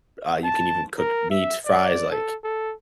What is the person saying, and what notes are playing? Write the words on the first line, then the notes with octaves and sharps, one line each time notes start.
uh, you can even cook meat, fries, like
A5
A#4
E5
D5
A4
A4